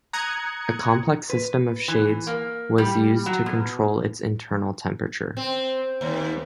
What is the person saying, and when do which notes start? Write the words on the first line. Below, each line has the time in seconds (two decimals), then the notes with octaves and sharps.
A complex system of shades was used to control its internal temperature.
0.13 A#5 D#6 F#6 G#6 C#7
1.30 B4
1.88 E3
2.27 A#3
2.78 G3
3.26 F#3
3.46 B2
5.37 C4
6.01 D#2